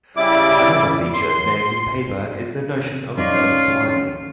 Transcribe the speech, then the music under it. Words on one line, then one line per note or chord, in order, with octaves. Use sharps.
Another feature named in paper is the notion of self-blinding.
C#3 G3 E4 D6
C6
C#4 D#4 F4 D5